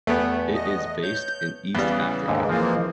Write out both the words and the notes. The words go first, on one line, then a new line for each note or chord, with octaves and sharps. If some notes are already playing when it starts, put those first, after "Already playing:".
It is based in East Africa.
E2 A3 B3 G4
D#5
C#5 G6
E2 C#3 E3 G3 B3
D#2 G#2 D3
E3 F3 G#3 A#3 C4 F4